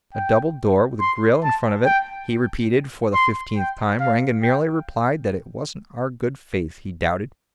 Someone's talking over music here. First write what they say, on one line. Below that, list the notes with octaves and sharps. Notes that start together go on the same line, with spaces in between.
'A double door, with a grille in front of it,' he repeated for the fiftieth time.... Rangon merely replied that it wasn't our good faith he doubted.
G5
C6
A5
G5
C6
G5
F5
G5